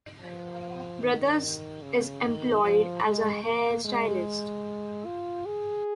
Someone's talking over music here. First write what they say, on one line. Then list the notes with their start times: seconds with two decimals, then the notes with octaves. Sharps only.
Brothers is employed as a hair stylist.
0.21 F3
1.01 D#3
1.83 C#3
2.23 D#3
2.63 F3
3.04 G#3
3.44 A#3
3.84 G#3
5.05 F4
5.46 G#4